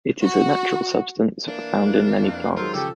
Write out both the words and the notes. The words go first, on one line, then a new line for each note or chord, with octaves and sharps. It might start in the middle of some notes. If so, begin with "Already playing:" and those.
It is a natural substance found in many plants.
F#4
E3 A#3 D4
F2
D#3 F#3 G#3 C4 F4 A4 A#4 C5
C#3 F3 G4 A4